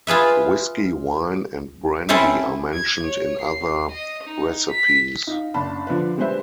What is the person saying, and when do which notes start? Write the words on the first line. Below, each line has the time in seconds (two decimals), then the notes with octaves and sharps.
Whisky, Wine, and Brandy are mentioned in other recipes.
0.07 F4 G#4 B4 E5
2.09 C4 C#4 E4 A4 C5 E5
2.73 G#6
3.03 C#5
3.41 C7
3.91 D#5
4.23 D#4
4.71 B6
5.27 D#4 F5
5.54 F#1 D4 A5 B5
5.87 D3 F3 D4 B4
6.18 G3 G#3 D4 B4 C5 E5